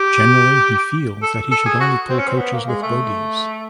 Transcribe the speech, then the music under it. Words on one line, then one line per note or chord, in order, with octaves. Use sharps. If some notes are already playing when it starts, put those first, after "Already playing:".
Generally, he feels that he should only pull coaches with bogies.
Already playing: G4
A4
A4
G#4
F#4
C4
C#4
C4
B3
A#3
G#3
A3